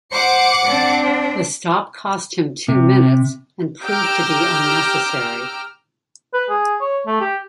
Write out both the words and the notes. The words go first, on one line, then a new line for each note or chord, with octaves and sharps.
The stop cost him two minutes, and proved to be unnecessary.
C5 F#5 D6 C#7
C4 D4
C3
G4 G5 A#5 D6 E6 F6
B4
G#4
C#5
A3
G4